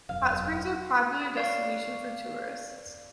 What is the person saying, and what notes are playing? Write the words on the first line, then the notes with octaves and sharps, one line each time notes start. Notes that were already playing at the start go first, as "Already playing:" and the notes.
Hot springs are a popular destination for tourists.
E1 F#2 F5
D5 F5 C#6